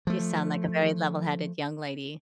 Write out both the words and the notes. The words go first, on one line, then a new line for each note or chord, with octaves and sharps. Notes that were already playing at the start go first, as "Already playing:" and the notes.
You sound like a very level-headed young lady.
F3 A3